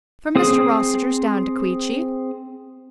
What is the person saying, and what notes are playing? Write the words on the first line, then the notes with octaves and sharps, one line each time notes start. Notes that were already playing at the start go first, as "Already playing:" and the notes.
"From Mr. Rossitur's down to Queechy."
C4 G#4 D#6